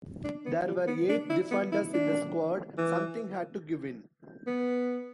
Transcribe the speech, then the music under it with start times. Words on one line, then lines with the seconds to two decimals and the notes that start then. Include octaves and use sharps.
There were eight defenders in the squad, something had to give in.
0.24 D4
0.45 B3
0.67 G3
0.87 B3
1.09 D4
1.30 E4
1.51 B3
1.72 E4
1.94 D4
2.78 E3
4.47 B3